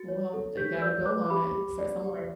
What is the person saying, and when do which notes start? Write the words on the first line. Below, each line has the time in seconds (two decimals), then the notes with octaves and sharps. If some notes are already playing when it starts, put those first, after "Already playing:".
Well, you gotta build on it and start somewhere.
Already playing: F#4 A6 C#7
0.08 C#5
0.34 A4
0.57 G4 G6 B6
0.82 D5 E6 G6
1.05 B4 D6 F#6
1.30 G4 B5 D6
1.54 G4
1.79 D5
2.04 G4